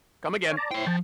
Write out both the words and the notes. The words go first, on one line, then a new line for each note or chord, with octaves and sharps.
come again."
C#5 F5 G#5
D5 A5 A#5
E4 C5 C#5 G5 C6
F3 G5 A5